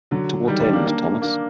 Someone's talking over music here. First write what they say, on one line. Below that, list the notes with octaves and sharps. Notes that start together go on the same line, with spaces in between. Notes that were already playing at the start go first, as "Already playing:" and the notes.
To what end, Thomas?
D3 F#3
D#3 G3
D#3 G3
A#3 D4
A#3 D4
A#3 D4